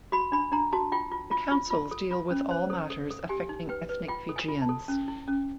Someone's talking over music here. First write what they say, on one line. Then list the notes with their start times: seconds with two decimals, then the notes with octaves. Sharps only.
The councils deal with all matters affecting ethnic Fijians.
0.12 F#4 B5
0.32 D4 B5
0.52 D4 A#5
0.73 F#4 A5
0.92 F4 G5
1.12 F4
1.31 F4
1.52 F4
1.71 F4
1.91 A4
2.11 F4
2.31 C#4
2.51 C5
2.70 A4
2.90 A4
3.10 A4
3.29 G4 G#5
3.49 D#4
3.69 B4 G5
3.89 B4
4.08 F4 G5
4.29 A4
4.36 G#5
4.48 F4
4.62 A5
4.69 A4
4.88 C#4
5.08 E4
5.28 C#4